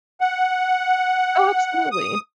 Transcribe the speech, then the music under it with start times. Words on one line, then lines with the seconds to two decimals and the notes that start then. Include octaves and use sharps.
Oh, absolutely.
0.21 F#5
1.91 D#6